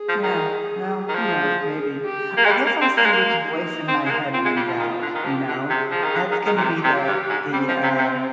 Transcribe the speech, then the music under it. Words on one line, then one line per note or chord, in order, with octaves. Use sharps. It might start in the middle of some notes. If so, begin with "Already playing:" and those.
Yeah. Well, who knows? Maybe. I guess I'll see which voice in my head wins out, you know? That's gonna be the the, uh
Already playing: G#4
F3
D#3
D#3
F3 G#4
G4
A#3
G#3
G3
A#3
C4
A#3
G#3
A#3
D#4
C4
G#3
A#3
C4 F4
G#3
G3
F3
D#3
D3
D#3
F3 G4
D3
C3 G#4
F3
D#3
D3
D#3
D#3
A#2
C3 G4
C3
G2
G#2
G3 C4
F3
C3
C3